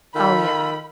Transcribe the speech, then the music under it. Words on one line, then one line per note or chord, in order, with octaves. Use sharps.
Oh, yeah.
D#3 F4 A4 B5